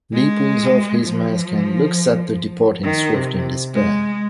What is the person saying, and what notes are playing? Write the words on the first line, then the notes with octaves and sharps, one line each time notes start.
Lee pulls off his mask and looks at the departing Swift in despair.
G#3
F3
D#3
C3
G#3